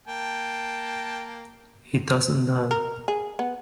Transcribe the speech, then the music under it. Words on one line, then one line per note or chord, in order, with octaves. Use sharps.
He doesn't know.
A#3 G5 A5
A#4
G#4
B3